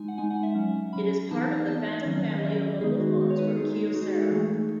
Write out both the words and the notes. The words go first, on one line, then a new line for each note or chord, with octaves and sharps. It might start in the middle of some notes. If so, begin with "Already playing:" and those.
It is part of the Phantom family of mobile phones from Kyocera.
Already playing: G#3 D#4 G#5
F#5
G#3 D#4 G#5
F#5
E5
F#3 C#4
F#3 C#4 B5
E3 B3 D#4 A5
E3 B3 D#4 A5
D#3 F#3 C#4
D#5
D#3 F#3 C#4 E5
D#3 G#3 B3 D#4 G#4
F#4
D#3 G#3 B3 D#4
C#5
B4
A4
G#3 D#4 G#4
G#4
G#3 D#4 F#4
A4
E3 A3 D#4 G#4